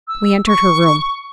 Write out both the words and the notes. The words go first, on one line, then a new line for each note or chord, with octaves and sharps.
We entered her room.
E6
C#6